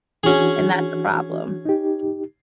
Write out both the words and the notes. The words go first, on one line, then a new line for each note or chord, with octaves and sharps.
and that's the problem.
E3 C#4 D4 F#4 G#4
D#4 G4